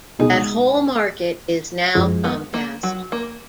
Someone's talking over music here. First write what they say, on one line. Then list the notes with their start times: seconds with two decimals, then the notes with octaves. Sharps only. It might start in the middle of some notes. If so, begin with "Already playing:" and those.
That whole market is now Comcast.
0.19 C#2 B2 G#3 D#4
1.95 F#2 F3 G#3
2.24 B3
2.54 A#3
2.83 F#3
3.12 A#3